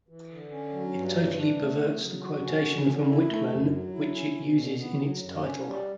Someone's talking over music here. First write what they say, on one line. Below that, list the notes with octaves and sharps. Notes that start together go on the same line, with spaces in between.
It totally perverts the quotation from Whitman which it uses in its title.
E3
D3
C#4
F#3
G2
E3
D4
A3
C#3
F#3
F#4
C#4
D3
D3
E4
A3
F#2
F#3
E4
C#4
B2
D3
B3
F#3
F#2
C#4
G3